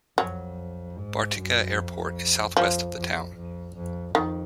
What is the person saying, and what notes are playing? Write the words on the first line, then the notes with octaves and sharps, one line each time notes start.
Bartica Airport is southwest of the town.
F2 F#3
G#2
F#2
F2
F2 F3
F2
F2
F2
F2 D#3